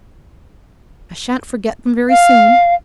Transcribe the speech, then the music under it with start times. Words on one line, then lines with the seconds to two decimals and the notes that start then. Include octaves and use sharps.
I shan't forget them very soon.
2.10 F5